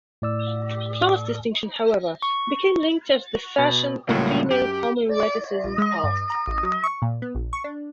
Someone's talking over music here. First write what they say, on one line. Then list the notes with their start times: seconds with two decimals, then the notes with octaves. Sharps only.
Class distinction, however, became linked as the fashion of female homoeroticism passed.
0.22 A2 D5 E6
2.22 C#6
3.58 B2
4.09 C#2 A2 F#3 G3 A#3 F4
4.51 F#2 G4
5.64 A#1
5.78 G#3
6.04 G2
6.30 A#5
6.47 A1
6.63 F#3
6.83 C#6
7.02 A#2
7.22 B3
7.35 A#1
7.53 C#6
7.64 D4